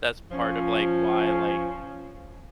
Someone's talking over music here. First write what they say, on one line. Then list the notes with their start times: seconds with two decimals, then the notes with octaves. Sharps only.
That's part of, like, why, like,
0.32 F3 C#4